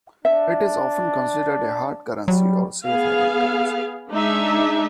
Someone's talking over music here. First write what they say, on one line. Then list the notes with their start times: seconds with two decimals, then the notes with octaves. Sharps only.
It is often considered a hard currency or safe-haven currency.
0.25 D4 E5
2.28 F#3 G3
2.86 B3 G#4 F5
4.10 G#3 D4 D#4 E5